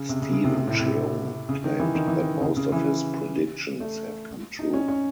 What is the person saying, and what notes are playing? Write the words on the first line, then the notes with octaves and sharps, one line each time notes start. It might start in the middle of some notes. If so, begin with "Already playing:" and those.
Steven Cheung claimed that most of his "predictions" have come true.
Already playing: C#3
C3
C#3
C#3
C3
C3
A2
C3
C#3
D#3
E3
D#3
E3
D#3
C#3
C#3
E3
A3
D#4
C#4
C#4